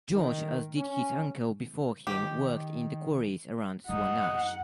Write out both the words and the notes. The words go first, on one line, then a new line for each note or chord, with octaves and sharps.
George, as did his uncle before him, worked in the quarries around Swanage.
D#3
C#4
D#3 G4
F#2 D#4 F#5